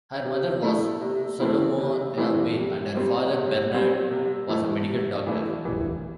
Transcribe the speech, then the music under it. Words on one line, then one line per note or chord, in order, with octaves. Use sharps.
Her mother was Saolomea Weil and her father Bernard was a medical doctor.
C3
A3 E4
C3
E3 A3 C4 E4
C3
E3 A3 C4 E4
C3
G3 C4
C3
G3 C4
C3
E3 A3 E4
C3
E3 A3 E4
E3